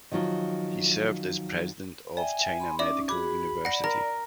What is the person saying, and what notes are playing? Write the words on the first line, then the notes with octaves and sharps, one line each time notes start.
He served as President of China Medical University.
D#3 F3 F#3 F4
D5 E5 G5 G#5
B5 C6
C#4 D#4 D5 E5 D6
F#4 G#4 B5 D6
D5 F#5 A#6 C#7
A#4 A#5